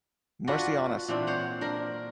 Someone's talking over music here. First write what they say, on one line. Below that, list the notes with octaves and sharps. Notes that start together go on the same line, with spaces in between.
Mercy on us!
D4 F4 F#4 B4
A#2 E3 C4 D4
C5 C#5 F#5
D4 A#4